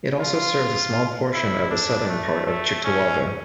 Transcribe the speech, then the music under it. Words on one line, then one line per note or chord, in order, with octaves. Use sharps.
It also serves a small portion of the southern part of Cheektowaga.
F4
E4
D4
A3
A3
C#4